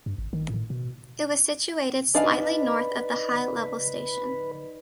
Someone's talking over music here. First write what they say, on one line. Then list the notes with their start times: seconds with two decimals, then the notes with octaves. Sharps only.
It was situated slightly north of the high level station.
0.06 G2
0.18 G#1
0.33 D#3
0.49 A2
0.70 B2
2.15 D4 D#4 B4 D5 F5 G#5